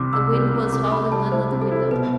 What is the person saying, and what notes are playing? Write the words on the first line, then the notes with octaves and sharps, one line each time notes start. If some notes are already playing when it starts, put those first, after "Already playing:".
The wind was howling under the window.
Already playing: C2 C3 E3 C6 D6
C2 E6
G3
C3
C3 D6
C3 B5
G3 A5
E4 C5
C3
A4
E4
B2 B4